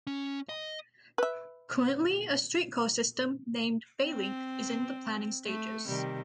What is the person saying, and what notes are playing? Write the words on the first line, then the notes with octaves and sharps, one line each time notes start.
Currently, a streetcar system, named 'Baylink' is in the planning stages.
C#4
D#5
B4 E5
C4
A3
C3 D#3 G3